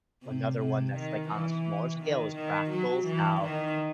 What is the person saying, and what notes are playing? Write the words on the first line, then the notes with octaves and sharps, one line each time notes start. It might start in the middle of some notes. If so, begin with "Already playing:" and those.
another one that's, like, on a smaller scale is fractals, how,
C3
C3
D#3
E3
D#3
D#3
F#3
E3
D#3